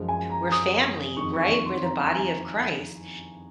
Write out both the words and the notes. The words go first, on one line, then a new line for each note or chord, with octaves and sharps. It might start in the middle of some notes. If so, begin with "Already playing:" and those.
we're family, right, we're the body of Christ
Already playing: F#2 F3 G#3
G#5
A#5
D#6
F2 D#3 G#3 C#6
C#6
C#6
C6
A#5
A#5
G#5